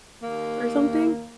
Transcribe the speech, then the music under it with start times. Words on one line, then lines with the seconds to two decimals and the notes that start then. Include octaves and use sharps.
or something?
0.23 D#2 A#3